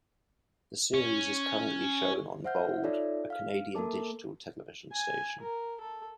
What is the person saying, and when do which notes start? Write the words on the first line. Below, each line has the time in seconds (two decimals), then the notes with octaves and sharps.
The series is currently shown on bold, a Canadian digital television station.
0.94 C#4
2.44 C5 E5 F#5 F6 G6
2.83 D#4 F4 A4 C#5 D5 E5
3.30 F5 F6
3.75 A#3 A4 A#4 A5 D6
4.92 G#5
5.41 A#4
5.80 A4